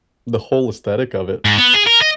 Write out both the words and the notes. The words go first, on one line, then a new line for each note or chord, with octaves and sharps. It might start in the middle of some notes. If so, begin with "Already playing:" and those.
the whole aesthetic of it.
G#2
B3
G#4
A#4
D#5